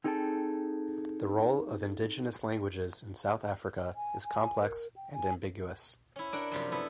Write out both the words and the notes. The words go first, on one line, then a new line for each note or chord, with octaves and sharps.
The role of indigenous languages in South Africa is complex and ambiguous.
C4 D#4 G#4 A4 G5 A5
G#5
G#5
A#4
G5
G#5
C#4 E4
D4 A#4 F#5
F#2 C3 F3
B3 E4 A4